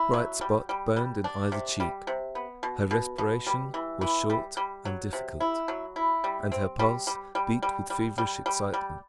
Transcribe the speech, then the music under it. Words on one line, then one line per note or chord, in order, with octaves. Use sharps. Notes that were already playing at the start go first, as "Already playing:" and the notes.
A bright spot burned in either cheek, her respiration was short and difficult, and her pulse beat with feverish excitement.
Already playing: E4
F#3
G3
G3
G3
D4
C3
G3
C3
B3
B2
B2
B2
G3
E3
E3
G3
G3
F#3
C3
E4
F#3
E4
G3
C4
G3
G3
G3
G3
G3
G3
G3
G3